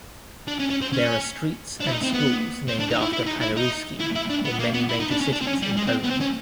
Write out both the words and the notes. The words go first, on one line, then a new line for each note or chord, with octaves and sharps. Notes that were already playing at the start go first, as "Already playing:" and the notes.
There are streets and schools named after Paderewski in many major cities in Poland.
D4
C#4
C#4
C4
C#4
D4
E4
D#4
C4
B3
C4
D4
D#4
E4
E4
D#4
E4
D#4
E4
E4
D4
B3
A#3
B3
E4
D#4
D4
C#4
D4
C4
C#4
G3
G#3
C4
B3
C4
C#4